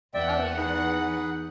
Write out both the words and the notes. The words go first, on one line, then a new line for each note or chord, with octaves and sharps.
Oh, yeah.
E2 D5 E5 F#5 G5
D#4 G#4 B4